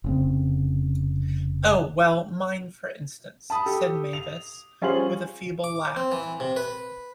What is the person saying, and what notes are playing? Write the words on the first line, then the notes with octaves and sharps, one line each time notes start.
"Oh, well, mine for instance," said Mavis, with a feeble laugh.
F1 C#3 C4
A5 B5 D#6
G4 A4
F7
G3 C#4 F4 G#4 C5 F#7
D6
C4
E3
C3
B4